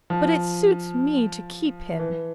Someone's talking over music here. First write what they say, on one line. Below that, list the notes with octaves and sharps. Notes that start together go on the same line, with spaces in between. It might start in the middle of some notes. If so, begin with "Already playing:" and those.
But it suits me to keep him.
F3
E3